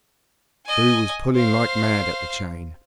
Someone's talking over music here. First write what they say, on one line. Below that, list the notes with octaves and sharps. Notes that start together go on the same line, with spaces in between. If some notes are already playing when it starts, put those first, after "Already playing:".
True was pulling like mad at the chain.
D#5 G#5
C5 F5